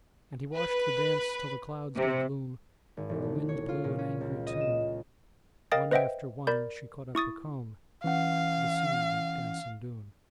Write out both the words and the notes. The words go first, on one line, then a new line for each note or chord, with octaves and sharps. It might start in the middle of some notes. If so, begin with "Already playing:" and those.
And he watched the dance till the clouds did gloom, And the wind blew an angry tune: One after one she caught up her comb, To the sea went dancin' doon.
B4
C3
G#1
E1
A3
C#5
F4
A#2
C#4
C#2
D#5
E7
A#4 D#5 F5 G5 D#6 A6
B4 C5 D#5 E5 F#5 G5
A#4 D5 B5 G6
E4 C#6 D#6 A6
E3 C#4 F5 F#5